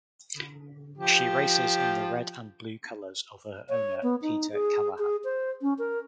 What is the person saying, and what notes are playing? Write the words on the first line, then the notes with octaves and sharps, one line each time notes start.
She races in the red and blue colors of her owner Peter Callahan.
F3 G4
C#5
B3
D#4
G#4
G#4
C5
C#4
A#4